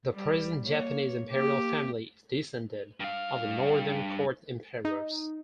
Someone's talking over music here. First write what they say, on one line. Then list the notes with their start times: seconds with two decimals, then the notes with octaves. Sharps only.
The present Japanese Imperial Family is descended of the Northern Court emperors.
0.14 G3
0.63 A#3 C#5
1.32 A#3 G4
3.00 G2 F5
4.85 D#4